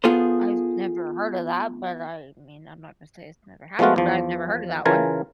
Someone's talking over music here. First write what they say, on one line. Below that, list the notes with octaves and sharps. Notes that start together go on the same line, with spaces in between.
I've never heard of that, but, I mean, I'm not gonna say it's never happened, but I've never heard of that one.
B3 F4 G#4 A4 C5
F3 G#3 A3 B3 F4 F#4
E2 F3
C#3 E3 F4 A#4 G#5 A5